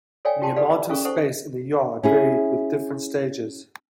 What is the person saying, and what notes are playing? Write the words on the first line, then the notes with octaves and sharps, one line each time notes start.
The amount of space in the yard varied with different stages.
A4 C#5 D5 F5 G5 G#5
F4 G4 G5 A5 C6
G4 A4 B4 D5 F5
C#4 G#4 A4 F5 C#6
D#4 A4 C5 F#5 C#6
C#4 E4 G#4